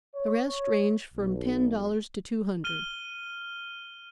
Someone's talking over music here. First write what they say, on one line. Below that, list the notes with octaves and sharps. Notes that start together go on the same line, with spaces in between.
The rest ranged from ten dollars to two hundred.
C#5
B1
F6 D#7 G7